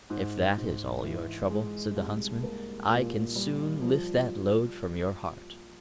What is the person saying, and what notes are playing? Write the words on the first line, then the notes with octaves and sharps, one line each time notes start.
'If that is all your trouble,' said the Huntsman, 'I can soon lift that load from your heart.'
G#2
G#2
E3
G#3
C2
A#3
A#2
G3
F3